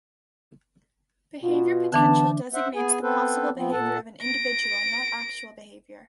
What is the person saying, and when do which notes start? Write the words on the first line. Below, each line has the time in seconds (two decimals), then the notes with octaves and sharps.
Behavior potential designates the possible behavior of an individual, not actual behavior.
1.43 B2 F4
1.92 D3 E3 B3 D4 A5
2.54 C5 E5 F#5
2.75 B3 G#4 G#5
3.03 B3 C4 A4 B4 C5
3.56 F3 B3 C4
3.72 A#2 A4 F#5 A5
4.22 A#6 D7